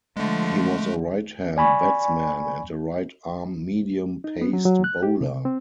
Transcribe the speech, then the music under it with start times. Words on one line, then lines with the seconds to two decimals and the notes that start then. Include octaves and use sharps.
He was a right-hand batsman and a right-arm medium-paced bowler.
0.17 D3 F3 G#3 A3
1.57 D5 G#5 B5 C#6
4.24 D#4
4.41 B3
4.53 F#3
4.65 F#3
4.84 F#6
5.03 G4
5.20 C3
5.45 C4